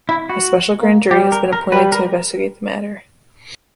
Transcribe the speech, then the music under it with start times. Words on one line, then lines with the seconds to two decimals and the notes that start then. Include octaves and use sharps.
A special grand jury has been appointed to investigate the matter.
0.09 E4
0.30 F#4
0.81 A#3
1.11 G3 G4
1.32 A#4
1.53 A#4
1.72 G3 B4
1.92 A#4